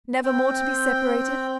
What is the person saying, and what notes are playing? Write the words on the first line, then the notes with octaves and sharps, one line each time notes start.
"Never more to be separated?"
C4 G5